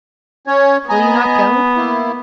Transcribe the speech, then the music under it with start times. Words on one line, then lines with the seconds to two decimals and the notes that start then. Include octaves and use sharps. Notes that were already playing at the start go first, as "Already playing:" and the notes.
'Will you not go?
0.47 C#4 C#5
0.89 B3 D#5 G#5 A#5
1.76 A#3 E4